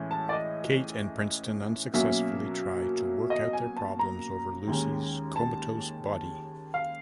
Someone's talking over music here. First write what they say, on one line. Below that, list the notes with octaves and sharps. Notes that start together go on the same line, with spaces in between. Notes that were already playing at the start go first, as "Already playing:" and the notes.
Kate and Princeton unsuccessfully try to work out their problems over Lucy's comatose body.
Already playing: A2 E3 G#3 C#4
A5
D5
D#5
B2 F#3 A#3 C#4 E5
D#5
G#5
A5
A#5
D#2 D#3 G#3 C#4
A5
F5